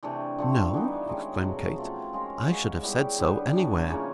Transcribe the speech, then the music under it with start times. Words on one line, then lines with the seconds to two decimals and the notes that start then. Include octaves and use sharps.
'No!' exclaimed Kate, 'I should have said so anywhere.'
0.03 C3 E3 A3 D4
0.38 D3 F3 A3 C4
0.73 E3 G3 B3 D#4
1.07 D#3 G#3 C#4
1.43 B2 F#3 A3
1.78 F3 A3 C4 F4
2.13 G#3 C#4 F4 A#4
2.47 G#3 C#4 F#4
2.82 G3 B3 E4 G4
3.18 D3 G3 B3
3.53 A2 E3 A3
3.88 C#3 F3 A#3 C#4